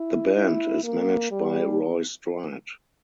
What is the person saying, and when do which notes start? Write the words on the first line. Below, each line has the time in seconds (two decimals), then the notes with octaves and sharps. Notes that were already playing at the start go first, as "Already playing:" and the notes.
The band is managed by Roy Stride.
Already playing: E4
0.36 E4
0.84 A#3
1.31 G3